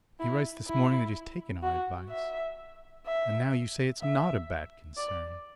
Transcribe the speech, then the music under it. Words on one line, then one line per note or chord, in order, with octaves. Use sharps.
He writes this morning that he's taken our advice, and now you say it's not a bad concern.
E4
E4
F#4
E5
E5
E5
D5